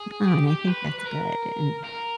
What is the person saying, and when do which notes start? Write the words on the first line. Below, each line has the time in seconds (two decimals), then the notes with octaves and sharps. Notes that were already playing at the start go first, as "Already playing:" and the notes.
Oh, and I think that's good, and,
Already playing: G#4
0.28 G4
0.47 G4
0.67 B4
0.86 B4
0.99 B4
1.05 A#4
1.84 A#4